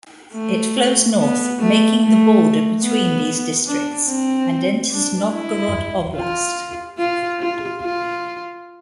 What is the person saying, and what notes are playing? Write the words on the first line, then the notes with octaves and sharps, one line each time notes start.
It flows north, making the border between these districts, and enters Novgorod Oblast.
A3
B3
A3
A3
B3
D4
C4
D4
E4
F4
F4
F4
F4